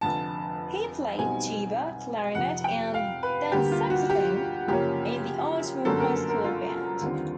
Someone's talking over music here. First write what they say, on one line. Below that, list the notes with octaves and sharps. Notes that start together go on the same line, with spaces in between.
He played tuba, clarinet, and then saxophone in the Ardmore High School band.
F1 F2 D3 A5
B1 B2 G3 C4 D#4 G#5
F2 C3 F3 F#5
G5
F5
B4
D2 D3 G3 A#3 G4
F4
F#4
G4
F#2 C#3 F3 A#3 C#4 G4
G1 F#2 D3 F#3 A#3 A4
A#4
A#4
F4
D#2 D3 G3 C4